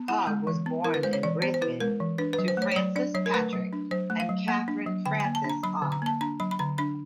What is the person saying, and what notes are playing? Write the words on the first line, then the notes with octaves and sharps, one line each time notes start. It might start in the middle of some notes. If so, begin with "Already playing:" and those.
Hogg was born in Brisbane to Francis Patrick and Catherine Frances Hogg.
Already playing: B3
E4 F#5
G#3
E3
B3
E4 A#4
B4
G#3 C5
C#5
E3 D5
B3 C5
C5
E4 B4
G#3 A#4
E3
D4 B4
B4
F#3
C5
A3 C#5
C#5
F#3 D5
D4 D5
F#3 C#5
A#4
A3 B4
F#3
D4
F#3 C5
A3
F5
F#3
A#3 F#5
D4
F#3
D3 G5
G#5
A#3
A5
D4
A#5
F#3 B5
D3
A#5
A#3 A5
D4 A#5
F#3 B5
B5
D3 A#5
D4 B5